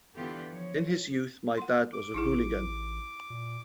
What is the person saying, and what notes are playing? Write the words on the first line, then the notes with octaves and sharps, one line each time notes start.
In his youth my dad was a hooligan.
D3 E3 B3 F4 G4 A4
F3 C#5
F#5 C6
D6
A1 D#4 E4 G#4
A#2